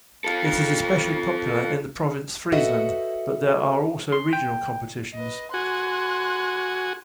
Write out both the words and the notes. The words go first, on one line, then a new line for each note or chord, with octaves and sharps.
It is especially popular in the province Friesland, but there are also regional competitions.
F4 A4
F#4 A4 B4 D#5 E5 F#5
C6
G5
B4 D#5
F#4 G#5 C6 F#6